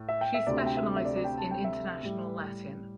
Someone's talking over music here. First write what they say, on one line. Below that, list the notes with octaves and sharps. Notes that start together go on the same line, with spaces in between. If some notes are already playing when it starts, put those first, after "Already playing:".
She specializes in International Latin.
Already playing: A2
E5
G5
E5
D2 C3 A3 C4 D5
E5
G5
E5
E5
D5
D5
G5
A5
G5
E5
A2 G3